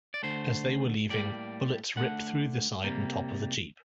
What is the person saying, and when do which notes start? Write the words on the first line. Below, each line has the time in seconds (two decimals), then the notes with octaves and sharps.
As they were leaving, bullets ripped through the side and top of the Jeep.
0.14 D5
0.23 D3 A3 C5
1.10 A2 G3 A#3 D5
1.97 D3 A3 F#5
2.84 C3 G3 A#3